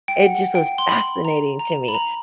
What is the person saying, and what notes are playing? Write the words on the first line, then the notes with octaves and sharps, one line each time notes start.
it just was fascinating to me.
G5
F#5
G5
C6
B5
A#5
A#5
B5
A#5